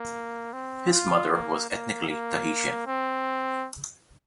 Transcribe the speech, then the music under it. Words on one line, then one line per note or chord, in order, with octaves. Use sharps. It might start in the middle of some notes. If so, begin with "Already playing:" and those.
His mother was ethnically Tahitian.
Already playing: A#3
C4
F4
A#3
A#3
A#3
C4